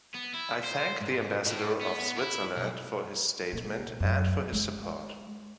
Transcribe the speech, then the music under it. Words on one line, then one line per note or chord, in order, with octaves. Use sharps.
I thank the Ambassador of Switzerland for his statement and for his support.
B3
E4
C5
G#2
A2
B3
E4
B1
A#2
F#2
G#3